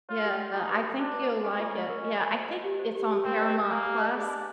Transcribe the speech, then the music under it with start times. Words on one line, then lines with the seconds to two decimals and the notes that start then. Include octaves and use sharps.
Yeah, I think you'll like it. Yeah, I think it's on Paramount+.
0.09 F4 C#5
0.24 G4
0.39 F#5
0.53 D#4 F#4
0.69 B4
0.84 G5
0.98 D4 F#4
1.13 B4
1.29 E5
1.44 C#4 G#5
1.59 F4
1.75 D#5
1.90 A#4
2.04 D#5
2.19 G#5
2.34 C5
2.49 D#5
2.64 G4
2.79 C5
2.95 G4
3.10 G4
3.24 C4 A#4
3.40 D#5
3.55 A#4
3.70 A#3 G#5
3.85 G4
4.00 D#5
4.15 D4 G#4
4.30 G#5